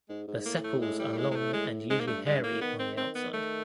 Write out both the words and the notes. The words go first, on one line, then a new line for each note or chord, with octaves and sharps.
The sepals are long and usually hairy on the outside.
G#2 G#3
G#2
A2 A#3
A3
G#3
G3
G3
G#3
G#3
A3
G#3
G#2 G#3
A#3
G2 A3
G2 G#3
A2 A#3
D#3 B3
C4
C4
B3
A3